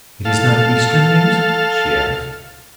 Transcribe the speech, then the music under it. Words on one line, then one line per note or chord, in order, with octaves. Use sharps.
"It is not Eastern news?" she asked.
A4 F5